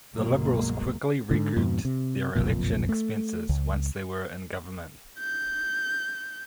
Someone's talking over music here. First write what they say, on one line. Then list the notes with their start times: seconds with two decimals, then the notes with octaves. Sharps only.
The Liberals quickly recouped their election expenses once they were in government.
0.13 G1 C2 B2 F#3 G#3 A#3
1.31 G#2 D3
1.56 F2 G#2 B2
1.85 C3
2.36 F#1 B1 F2 A#2
2.89 A3
3.49 C#2
5.19 G6